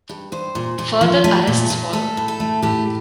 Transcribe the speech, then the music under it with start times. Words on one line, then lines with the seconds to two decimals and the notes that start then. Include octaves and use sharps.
Further arrests followed.
0.09 G2
0.32 G2 C5
0.55 A#2
0.79 A#2
1.01 F3
1.24 A3
1.47 A#2
1.70 A#2
1.93 A3 A4
2.17 A2
2.28 A4
2.40 A3
2.62 A2 G4